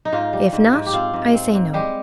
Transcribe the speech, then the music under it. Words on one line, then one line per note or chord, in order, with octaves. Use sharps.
"If not, I say no."
D#4
G#2 F4
G3
G#2
G#2
G4
C4 F4
G#2
C4
G#2
G3 G#3 G4